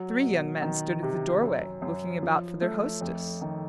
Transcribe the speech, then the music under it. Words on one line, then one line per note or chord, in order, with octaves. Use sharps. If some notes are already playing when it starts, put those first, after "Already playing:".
Three young men stood at the doorway looking about for their hostess.
Already playing: F#3
B2
D#3
C3
F#2
F#2
F3
A3
F2
D#3